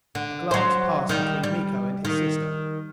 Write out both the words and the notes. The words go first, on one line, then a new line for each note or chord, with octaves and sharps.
A glance passed between Miko and his sister.
D3
F#3 C5
D#3 G3
G3
D#3